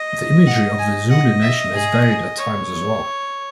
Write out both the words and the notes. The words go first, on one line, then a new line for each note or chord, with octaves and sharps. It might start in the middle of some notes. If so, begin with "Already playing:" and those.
The imagery of the Zulu Nation has varied at times as well.
Already playing: D#5
F#5
G#5
D#5 F#5
E5
G#4
C#5